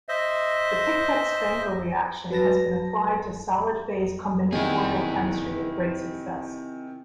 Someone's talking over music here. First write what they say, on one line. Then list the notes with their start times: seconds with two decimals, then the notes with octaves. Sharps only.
The Pictet-Spengler reaction has been applied to solid-phase combinatorial chemistry with great success.
0.09 C5 D#5 E5
2.30 F#3 B4 A5 A#6
4.52 C3 D#3 E4 G#4